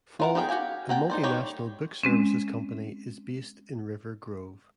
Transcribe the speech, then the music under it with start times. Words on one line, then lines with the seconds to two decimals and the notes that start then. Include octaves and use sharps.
Follett, a multi-national book services company, is based in River Grove.
0.20 F4 A#4 F#5
0.35 D#3 B3 G#4 G5
0.49 F#4 G4 F5 G#5
0.89 A#3 F#5 G5 A5
1.10 D#4 C5 D5
1.23 D#3 G3 G4 C#5
2.03 G#3 C4 C#4